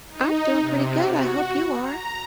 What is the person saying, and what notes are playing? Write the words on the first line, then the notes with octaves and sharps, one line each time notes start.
I'm doing pretty good, I hope you are.
D#4
C3
F#4
A#5